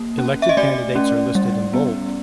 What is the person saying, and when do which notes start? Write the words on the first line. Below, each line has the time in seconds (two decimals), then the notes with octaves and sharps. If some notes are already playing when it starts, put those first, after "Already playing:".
Elected candidates are listed in bold.
Already playing: A#3
0.18 C#4
0.42 E5
0.49 D#5
0.57 A3 D5
0.95 C#4
1.35 G3
1.73 B3